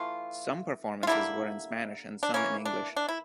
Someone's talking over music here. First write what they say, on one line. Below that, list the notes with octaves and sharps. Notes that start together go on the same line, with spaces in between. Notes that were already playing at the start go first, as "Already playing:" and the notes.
Some performances were in Spanish and some in English.
Already playing: E3 A3 F4
F4
D3 G3 A#3 E4
D4
E3 A#3 C#4
D4
D4
E4